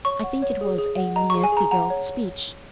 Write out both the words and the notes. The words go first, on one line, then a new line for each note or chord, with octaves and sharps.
I think it was a mere figure of speech.
C#5 C#6
F#5
C#5
G#4
G#4
F#5
D#5 A#5
C#6
G#4
G#5
G#4 A#5
F#5 A#5
C#5